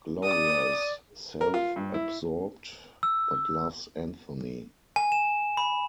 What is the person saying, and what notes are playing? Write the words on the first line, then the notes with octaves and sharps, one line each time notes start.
Gloria is self-absorbed but loves Anthony.
D5 D#6
A#4
F4
G2
E4
E6
G#5
E7
B5